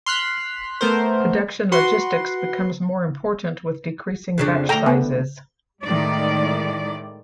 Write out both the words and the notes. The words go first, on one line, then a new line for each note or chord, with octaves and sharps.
Production logistics becomes more important with decreasing batch sizes.
C6 F6 F#6 B6
A3 B3 A#4 C5
F#4 B4 F#5 C6
F2 C#3 D4
D2 A4 G5 A#5
B3
A2 D#3 G#3 D5